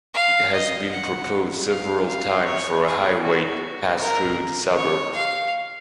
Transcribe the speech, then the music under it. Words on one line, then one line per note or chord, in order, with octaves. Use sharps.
It has been proposed several times for a highway to pass through the suburb.
F5
D#5
F#5
F5
F5
C#5
G#4
F#4
A#4
C#5
F5